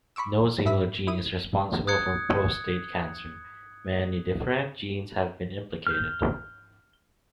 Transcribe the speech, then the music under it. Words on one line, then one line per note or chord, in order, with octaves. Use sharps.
No single gene is responsible for prostate cancer; many different genes have been implicated.
B5 C#6 D6 E6
G#2 A4 E5 B5 E6
E4 D#6
D#6 F#6 G#6 C#7
F6 G6